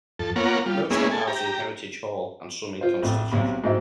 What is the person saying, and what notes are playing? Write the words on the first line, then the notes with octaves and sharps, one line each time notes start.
Most are housed in Heritage Hall and some in Constitution.
F2 A4
A#3 B3 F4 A#4 C#5 F#5
G3 F4
G#3 A#3 B3 C#4 E4 G#4
A4 G#5
G4 A#5
F4 C5
A1 F2 A3
B1 C3 B5
G#2 F#3 C4 E4